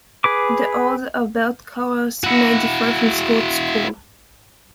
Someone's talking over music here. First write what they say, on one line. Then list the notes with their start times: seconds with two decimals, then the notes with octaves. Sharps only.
The order of belt colours may differ from school to school.
0.24 G#4 B4 D6
2.24 E4 F#4